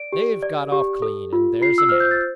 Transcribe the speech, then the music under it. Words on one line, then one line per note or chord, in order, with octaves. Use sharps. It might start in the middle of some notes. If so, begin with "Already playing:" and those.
They've got off clean, and there's an end.
Already playing: D5 D7
G4
D5
G4
A4
F4
F4 C7
E6
C5 F6
G6
A6